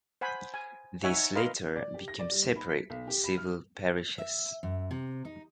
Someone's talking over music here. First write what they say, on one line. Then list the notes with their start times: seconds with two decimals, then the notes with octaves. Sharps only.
These later became separate civil parishes.
0.21 C5 F#5 G#5 B5
0.54 G#5
1.03 D#4 C#5 E5 F#5 G#5
1.35 A#4 B4 D#5 F5 C6
1.76 D5
1.94 G4
2.08 A#6
2.19 D5
2.31 G3
2.44 D#2
2.56 B5
2.70 B6
2.90 B1
3.07 G4
3.24 B5
3.38 F6
4.18 E5
4.63 F#2
4.91 C3
5.25 D#4